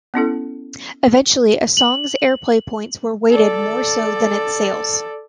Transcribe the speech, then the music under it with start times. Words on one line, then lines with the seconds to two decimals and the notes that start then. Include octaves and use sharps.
Eventually, a song's airplay points were weighted more so than its sales.
0.14 B3 C#4 E4 A4
1.77 F#7
3.30 A4 D5